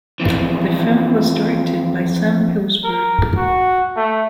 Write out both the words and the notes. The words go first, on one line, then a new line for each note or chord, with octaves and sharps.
The film was directed by Sam Pillsbury.
F2 E3
A#4
F#4
A3